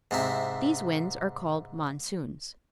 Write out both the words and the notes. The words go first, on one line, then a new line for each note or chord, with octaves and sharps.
These winds are called "monsoons."
G#2 C3 E4